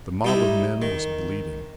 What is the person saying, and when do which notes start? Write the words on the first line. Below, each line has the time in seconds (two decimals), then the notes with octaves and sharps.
The mob of men was bleeding.
0.24 G3 D#4 E4
0.82 D#3